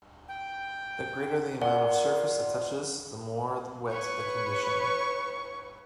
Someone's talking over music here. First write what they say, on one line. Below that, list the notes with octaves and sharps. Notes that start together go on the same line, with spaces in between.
The greater the amount of surface that touches the more wet the condition.
G5
F4 A#4 D5 F#5
B4 C#5 C#6